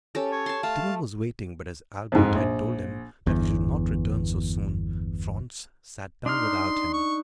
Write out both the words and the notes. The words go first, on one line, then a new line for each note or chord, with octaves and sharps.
Dinner was waiting, but as Albert had told him that he should not return so soon, Franz sat down without him.
C#4 G4 A4
C#5
A5 C6
A3 F5 A5
F2 G#2
A#1
G1 E2
D4 D#4 C6 F6
C#6